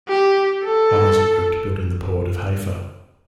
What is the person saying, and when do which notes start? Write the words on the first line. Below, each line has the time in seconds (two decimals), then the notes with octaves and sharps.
Others worked building the Port of Haifa.
0.08 G4
0.64 A4